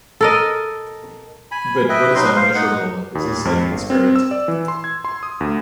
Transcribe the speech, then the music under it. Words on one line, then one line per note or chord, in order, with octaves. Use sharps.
But what is unmeasurable is the psychic spirit.
A4 A#4 D#5
G#5 B5
B4 D#5 E5 G5
F#3 D#4 B4 C6
C5 F5
D#4 F#5
D#2
F2
G1
C4
E6
D5
E3
C6
G#6
C6
D#6
D2